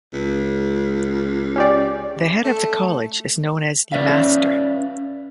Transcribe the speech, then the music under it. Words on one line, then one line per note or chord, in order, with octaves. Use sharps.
The head of the college is known as the "master".
C#2
C#4 G4 D5
A3
C#4 B4 D5 E5 F5